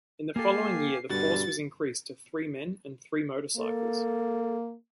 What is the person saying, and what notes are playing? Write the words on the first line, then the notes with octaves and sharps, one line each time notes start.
In the following year the force was increased to three men and three motorcycles.
A#3 G4 A4 F5 G#5 C7
G2 B2 D3 G3 F#4 A6
A#3 A4